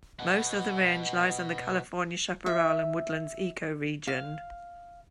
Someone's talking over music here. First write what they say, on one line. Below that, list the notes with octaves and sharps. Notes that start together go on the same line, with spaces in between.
Most of the range lies in the California chaparral and woodlands ecoregion.
B2 F#5
E5
F5